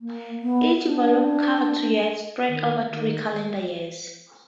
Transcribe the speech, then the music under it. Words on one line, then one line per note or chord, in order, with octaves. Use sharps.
Each volume covered two years, spread over three calendar years.
A#3
B3
D4
D#3
D#3